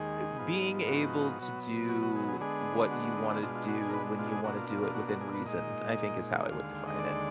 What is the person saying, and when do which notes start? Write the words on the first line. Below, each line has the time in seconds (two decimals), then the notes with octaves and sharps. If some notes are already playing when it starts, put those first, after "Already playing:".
Eh, being able to do what you wanna do when you wanna do it within reason I think is how I would define it,
Already playing: D#2 D#3 G#3 G#4
0.36 G#2 F3 B3 D#4
0.88 F#4
1.39 B2 F#3 B3
1.89 F#4
2.03 F#4
2.16 G#4
2.28 G#4
2.40 D3 G#3 B3 D4 G#4
2.91 F#4
3.04 F#4
3.17 D#4
3.30 F4
3.43 B2 G#3 D4 F4
3.55 F4
3.68 F#4
3.81 G#4
3.89 A#4
3.94 B4
4.19 F4
4.32 G#4
4.44 B2 A#3 D4 F#4
4.57 F4
4.70 F4
4.83 F4
4.95 F#4
5.08 F#4
5.21 G#4
5.34 B4
5.46 A#2 G#3 D#4 D#5
6.48 D#2 D3 G#3 F5
6.88 D#5
6.99 D5